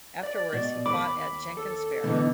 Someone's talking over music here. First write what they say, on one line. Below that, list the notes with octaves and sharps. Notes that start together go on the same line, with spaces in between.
Afterwards he fought at Jenkin's Ferry.
D5
B2
D#2 B5 D6
A4
B2 D3 E3 B3 D4 D#4